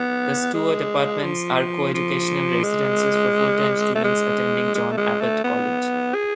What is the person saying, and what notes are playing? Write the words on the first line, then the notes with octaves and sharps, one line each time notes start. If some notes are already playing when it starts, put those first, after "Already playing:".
The Stewart Apartments are co-educational residences for full-time students attending John Abbott College.
Already playing: B3
G#3
F3
F3
G#3
A3
G#3
G#3
A3
G#3
A3
B3
G#4